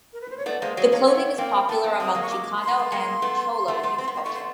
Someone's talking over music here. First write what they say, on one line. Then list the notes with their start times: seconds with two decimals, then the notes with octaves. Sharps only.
The clothing is popular among Chicano and "cholo" youth culture.
0.13 A#4
0.21 B4
0.30 C5
0.37 C#5
0.46 A3 B3 D5
0.61 G#3 A#3 C5
0.77 F#3 G#3 C#5
0.92 G#3 A#3 C#5
1.07 A3 B3 C#5
1.38 A#3 C4 G5
1.69 A3 B3 A5
1.84 A#3 C4
2.00 A#3 C4 D#6
2.15 G#3 A#3
2.22 C#6
2.30 D6
2.56 B5
2.61 C6
2.68 G#3
2.79 A3
2.92 G#3 A#3
3.22 A3 B3
3.68 A3 B3
3.83 A3 B3
3.98 C4
4.08 B3
4.14 A#3 C6
4.23 A3 B3 C#6
4.34 C6